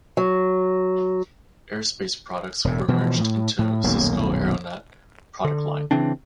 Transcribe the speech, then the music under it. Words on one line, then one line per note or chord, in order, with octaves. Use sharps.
Airespace products were merged into Cisco Aironet product line.
F#3
E1 A2
B2 E3 F3
A2
A2
D#1 B1 F#2 A#3
D3
C#3 E3 C4 D4